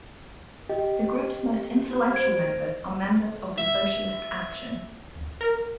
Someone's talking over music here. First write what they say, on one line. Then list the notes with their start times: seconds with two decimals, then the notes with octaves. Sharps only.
The group's most influential members are members of Socialist Action.
0.69 G4 D#5
2.12 C5 G#6 D7
3.58 E5
5.41 A#4